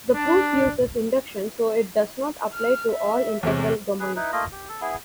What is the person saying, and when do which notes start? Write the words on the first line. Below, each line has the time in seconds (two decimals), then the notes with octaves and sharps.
The proof uses induction so it does not apply to all integral domains.
0.14 D4
2.53 F6
2.91 E5
3.43 E2 C3 C#5
4.00 G#4 B4
4.16 D#4 E4 B4
4.32 A3 A#3 F4 D#5
4.52 G4
4.69 A4
4.81 B3 E4 G#4